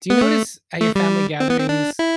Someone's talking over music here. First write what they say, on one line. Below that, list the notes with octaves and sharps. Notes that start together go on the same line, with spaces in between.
do you notice at your family gatherings,
B3
A3
A3
G3
C4
B3
C4
D4
E4